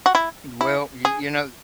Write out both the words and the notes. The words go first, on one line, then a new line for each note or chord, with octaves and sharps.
Well, y you know,
F#4
E4
E4
G#4